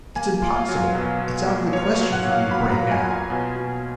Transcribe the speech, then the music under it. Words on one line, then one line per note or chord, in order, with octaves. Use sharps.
It's impossible; it's out of the question for me to break now!'
A#3 G#5
F4
F5
F#3
B2
B2
A#3
F4 C#5
F#3
F#5
A#3
F5
F#3 B5
A#5
F#3
G#5
F4
G#5
B2
B2